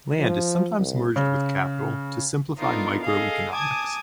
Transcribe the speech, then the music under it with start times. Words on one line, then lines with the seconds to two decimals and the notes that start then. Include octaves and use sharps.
Land is sometimes merged with capital to simplify micro-economics.
0.19 F3
0.79 C2
1.16 C#3
2.59 B3 D4 D#4 F4 A4 A#4
3.05 G#4 A4 D#5 F5
3.53 G#5 A5 D6 D#6 G#6